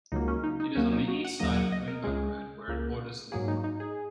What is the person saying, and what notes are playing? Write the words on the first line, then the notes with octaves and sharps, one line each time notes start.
It is on the east side of Glynburn Road, where it borders Leabrook.
C#2 C#3 F#3 A#3 D#4
C#4
D#4
D#4
D#2 D#3 F#3 A#3 C#4
D#4
F#4
F#5
D#2 C#3 F#3 A#3 D#5
F#5
D#5
A#4
C#2 C#3 G#3 G#4
C#2 C#3 A#3
G#2 F#3 A#3 G#4
D#4
D#4
G#4